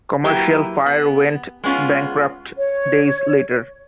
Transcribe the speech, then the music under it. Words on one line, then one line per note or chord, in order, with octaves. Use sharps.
Commercial Fire went bankrupt days later.
F#3 A#3 E4 G4 B4
B3
G#3 B3 C#4 F4
C#5